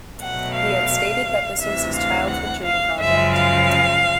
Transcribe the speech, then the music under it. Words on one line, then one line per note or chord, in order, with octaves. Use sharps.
He had stated that this was his childhood dream-project.
B2 F#3 A3 F#5
F5
D2 C3 E3 E5
F5
F#5
F5
F#2 C#3 F3 G#3 E5
F5